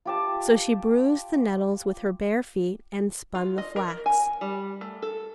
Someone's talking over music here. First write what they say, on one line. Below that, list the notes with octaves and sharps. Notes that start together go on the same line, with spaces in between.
So she bruised the nettles with her bare feet and spun the flax.
F4 G4 A5
F4
D#5
A#4
G#5
G3
A3
A4